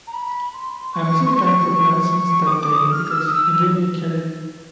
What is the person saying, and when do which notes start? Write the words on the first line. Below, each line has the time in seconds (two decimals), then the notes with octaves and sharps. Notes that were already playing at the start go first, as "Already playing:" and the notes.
I'm so thankful ever since that day because he gave me a career.
0.07 A#5
0.13 B5
0.53 C6
0.93 C#6
1.26 C6
1.33 C#6
2.46 D#6
2.51 D6
2.72 D#6
2.91 F6
3.11 E6
3.26 D#6
3.30 E6